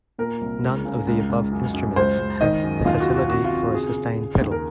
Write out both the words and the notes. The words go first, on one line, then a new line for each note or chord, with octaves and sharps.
None of the above instruments have the facility for a sustain pedal.
A#2 A#4
C2
C#2
C#3
C#2
C#2
F#2
F#2
C#2 C5
C#2
D#3 D#5
F#2
D#2 F4
F#4
D#3
F#4
C3 F#4
F4
C3
F#4
C#3 G#4
C#3
C#3
D#2
A#4